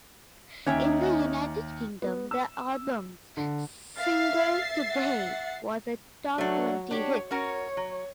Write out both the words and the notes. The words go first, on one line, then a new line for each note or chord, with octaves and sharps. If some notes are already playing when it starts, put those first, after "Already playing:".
In the United Kingdom, the album's single "Today" was a top-twenty hit.
D#2 C#4 D#4 C#5 E5 G5 G#5
B3
E6
D3
E5 F5 A6 C7
F#5
F#3 A3 D4
D4 G4 C#5
C#4 F#4 A#4 C#5
F#3